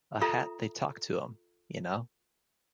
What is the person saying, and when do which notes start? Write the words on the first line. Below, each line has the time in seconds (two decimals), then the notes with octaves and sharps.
A hat they talk to 'em, you know.
0.21 F4 A4 E5 A#5